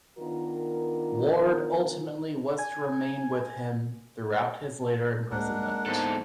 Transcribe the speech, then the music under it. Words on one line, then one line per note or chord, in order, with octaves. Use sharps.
Ward ultimately was to remain with him throughout his later imprisonment.
D#3 B3 D4 F4 A#4
G#5 G#6
C#2 G#3 A#3 D4 A#4 F#5
E2 G#2 A4